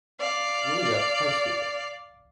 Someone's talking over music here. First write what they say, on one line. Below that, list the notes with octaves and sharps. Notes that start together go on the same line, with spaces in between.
Juliet High school.
D5 F5